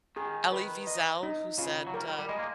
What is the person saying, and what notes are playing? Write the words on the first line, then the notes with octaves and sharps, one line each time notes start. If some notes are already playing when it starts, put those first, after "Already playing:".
Elie Wiesel who said, uh,
D#3 G#4
B4
D#5
D#4
C#3 F4
F#3
G3 A#4
G3
G#3 D#5
A#3